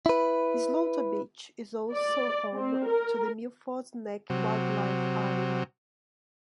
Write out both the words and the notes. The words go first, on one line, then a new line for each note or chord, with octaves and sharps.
Slaughter Beach is also home to the Milford Neck Wildlife Area.
E4 B4
D5
C4
A#4
C3 F#3